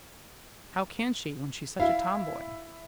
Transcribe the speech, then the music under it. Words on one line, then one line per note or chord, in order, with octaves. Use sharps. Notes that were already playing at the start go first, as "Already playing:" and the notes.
"How can she, when she's such a tomboy?"
E4 F5